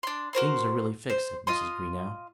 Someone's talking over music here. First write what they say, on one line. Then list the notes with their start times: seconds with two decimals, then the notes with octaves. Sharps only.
"Things are really fixed," said Mrs. Greenow.
0.03 D4 C6
0.33 F#4 A#4 C5 C6
1.10 C5
1.47 F4 D#5 C6